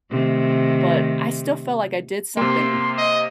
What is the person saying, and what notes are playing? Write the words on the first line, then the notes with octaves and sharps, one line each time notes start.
but I still felt like I did something
C3 D#3 A3
C3 A#3 C6
D#5